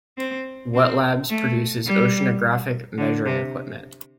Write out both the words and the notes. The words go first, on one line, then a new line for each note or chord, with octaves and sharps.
Wet Labs produces oceanographic measuring equipment.
C4
C4
A3
G3
D3
C3